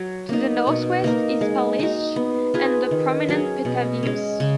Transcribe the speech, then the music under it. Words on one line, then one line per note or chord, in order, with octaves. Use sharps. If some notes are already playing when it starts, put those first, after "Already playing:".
To the northwest is Palitzsch and the prominent Petavius.
Already playing: F#3
A#3 D#4
B2
A#3 D#4 A#4
G#3
D#4 F#4
B3
F4 G#4 B4
D#3
F#3 C#4 G#4
B2
G#3 C#4
C#3